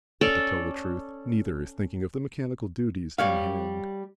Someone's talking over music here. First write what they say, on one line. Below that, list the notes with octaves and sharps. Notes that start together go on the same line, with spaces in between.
But to tell the truth, neither is thinking of the mechanical duties in hand.
C#4 A4 D5
G3 C#5 F5